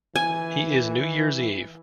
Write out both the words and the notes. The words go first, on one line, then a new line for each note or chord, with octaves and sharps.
He is New Year's Eve.
E3 G#5